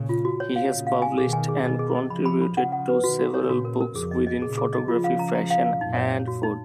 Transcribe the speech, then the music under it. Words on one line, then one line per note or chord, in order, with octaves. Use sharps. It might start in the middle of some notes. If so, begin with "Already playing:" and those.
He has published and contributed to several books within photography, fashion, and food.
Already playing: A#2 C#3
F4
F#4
C#5
F5
A#2 C#3 C#5
F5
G#5
B2 D#3 G#4
G#5
G#4
B2 D#3 D#5
G#4
D#5
C#3 F3 B5
B5
B5
C#3 F3 F#5
F#5
B4
B2 D#3 F#4
F#4
C#5
A#2 C#3 F#4
A#4
A#4
F2 G#4
D#5
D#5
A#2 C#3 G#4
G#4
D#5
C#3 F3 F4
F5
A#5
A#5
F5
F5
F#2 A#2 D#4
C#5
C#5
F#4
D#4